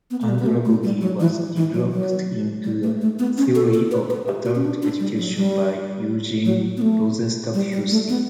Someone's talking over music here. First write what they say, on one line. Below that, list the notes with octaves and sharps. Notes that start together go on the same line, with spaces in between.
Andragogy was developed into a theory of adult education by Eugen Rosenstock-Huessy.
B3
A3
G3
B3
A3
A3
G3
F#3
E3
E3
F#3
F#3
G3
A3
A3
B3
C#4
A4
A4
B4
B4
G4
F#4
C#4
D4
D4
G3
F#3
G3
F#3
B3
A3
G3
G3
A3
B3